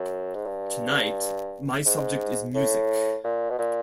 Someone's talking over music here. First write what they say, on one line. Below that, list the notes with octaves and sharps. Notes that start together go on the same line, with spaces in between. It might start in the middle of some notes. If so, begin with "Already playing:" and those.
Tonight, my subject is music.
Already playing: F#2
G#2
G2
G#2
A2
A#2
B2
A#2